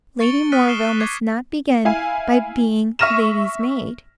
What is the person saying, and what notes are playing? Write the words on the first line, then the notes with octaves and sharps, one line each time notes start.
'Lady Morville must not begin by being lady's-maid.'
C#6 A6 C#7 D7 G7
D#6 F6 F#6 A6 B6 D#7
C7 E7 G7
C#6 D6 G#6 C7
E4 F5 G#5
E5 C#6 F6 A#6 D#7 E7